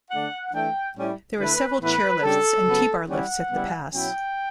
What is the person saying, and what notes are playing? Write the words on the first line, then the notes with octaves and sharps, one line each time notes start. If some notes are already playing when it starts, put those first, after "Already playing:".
There are several chairlifts and T-bar lifts at the pass.
D3 A3 D4 F#5
E3 A3 D4 G5
A2 G3 C#4 E4
D3 A3 E4 B4
A2 E3 B3 E4 B4
C#3 G3 D4 A4
C#3 F#3 B3
E3 G3 C#4 E4 F#5
C#3 G3 B3 E4
B2 F#3 C#4 E4 G5